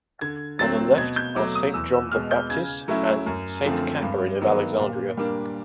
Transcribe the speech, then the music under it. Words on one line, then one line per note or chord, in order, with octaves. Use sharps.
On the left are Saint John the Baptist and Saint Catherine of Alexandria.
D3 G#6
F#3 A3 C4 A6
B2 G#6
G6
F#3 A3 D6
D#6
E2 E6
E6
B2 G#3 F6
G6
C#3 G#6
F#3 A3 C#4 E4
F#2
D3 F3 A3 C4
G2
D#3 F#3 B3
A#2
G3 A#3 D4